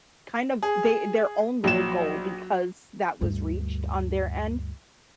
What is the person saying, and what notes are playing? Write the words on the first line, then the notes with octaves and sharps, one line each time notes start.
kind of, they their own little goal because that was reached on their end,
G#4
A#1 F#3 E7
D2 G2